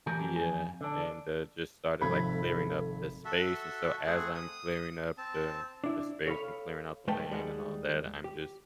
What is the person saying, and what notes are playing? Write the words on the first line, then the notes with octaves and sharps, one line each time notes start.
Yeah, and, uh, just started, like, clearing up the space, and so as I'm clearing up the the space and clearing out the land, and all that, I'm just
E3 A3 G4 A#4 G#5
F2 G#5
D3 D4
G#1 F2 C3 A4 B5 G#6
F#4 A4 E5
A3 C4 G#4 F#5
D#6
C4 A5
D4 E4
A4 C#5 F5 B5
G#3 A3 B4 F#5 G5 A5
D#2 G3 G#3 G#4 F#5
G4